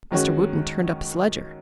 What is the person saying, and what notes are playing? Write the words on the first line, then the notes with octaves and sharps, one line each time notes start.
Mr. Wootten turned up his ledger.
F#2 D#3 G#3 C#4 F#4